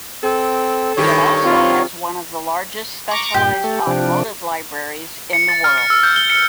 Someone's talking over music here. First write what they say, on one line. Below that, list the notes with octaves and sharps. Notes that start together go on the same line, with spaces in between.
It also has one of the largest specialized automotive libraries in the world.
C4 A4
G2 D#3 G4 C#5
C4 F4
A#5 C#6 D6
G2 A#2 G4
A3 A4
C3 F3 D4
C#7
A6
F6
C#7
E6
G6
G7
C#7